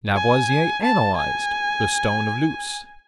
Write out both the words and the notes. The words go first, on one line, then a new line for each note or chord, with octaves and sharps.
Lavoisier analyzed the stone of Luce.
G#5
A5
G#5